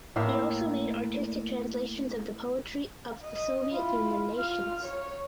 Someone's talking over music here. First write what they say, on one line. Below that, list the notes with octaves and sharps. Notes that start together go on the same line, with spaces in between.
He also made artistic translations of the poetry of the Soviet Union nations.
A2 A#3 E5 F5
D#5
E4 F4
F4 F6
C#5